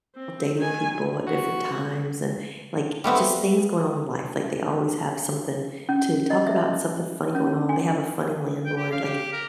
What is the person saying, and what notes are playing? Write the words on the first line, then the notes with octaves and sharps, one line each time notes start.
dating people at different times and, like, just things going on in life, like they always have something to talk about and something funny going on. They have a funny landlord. Like
C4
D#3 G#5
F#4
G3 A3 B3 C4
C#4
D#5
E5
C#4
G#5
G5
G4
F5
G4
A#4